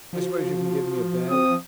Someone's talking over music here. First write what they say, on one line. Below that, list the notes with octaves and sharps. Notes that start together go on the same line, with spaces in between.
I suppose you can give me a bed.'
F3 F#4
C4 D#6